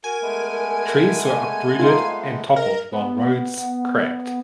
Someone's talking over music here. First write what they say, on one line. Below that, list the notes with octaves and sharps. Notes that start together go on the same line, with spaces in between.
Trees were uprooted and toppled while roads cracked.
F#4 A#4 G#5
G#3 A3 B3
D#4 F4 F5
A#4 D#5
B3